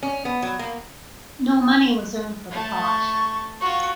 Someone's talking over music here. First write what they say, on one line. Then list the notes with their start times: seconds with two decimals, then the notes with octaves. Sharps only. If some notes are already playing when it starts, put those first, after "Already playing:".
No money was earned for the pot.
0.03 C#4
0.25 B3
0.43 F#3
0.59 A#3
2.51 A3 A5
2.82 C#6
3.61 F4 F#4 C#6